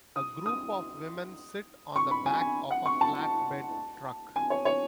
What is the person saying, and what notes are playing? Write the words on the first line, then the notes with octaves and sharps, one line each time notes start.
A group of women sit on the back of a flatbed truck.
D#6
D#6
C#6
B5
G#5
G#5
F#5
C#6
A5
G#5
C#5
C#5